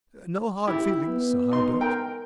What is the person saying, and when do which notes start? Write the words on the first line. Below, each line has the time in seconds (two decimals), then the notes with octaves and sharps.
"No hard feelings, Sir Hawerburch."
0.68 E4 G4
1.07 B3
1.51 D#4 C6
1.81 A#4 G5